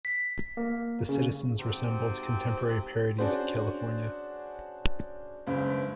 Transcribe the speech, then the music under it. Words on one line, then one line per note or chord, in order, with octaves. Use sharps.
The citizens resembled contemporary parodies of California.
B6
A#3
C#3
G#2 C3 C4 F#4
C#4 D4 F#4 G#4 C5
F#1 C#2 G2 C#3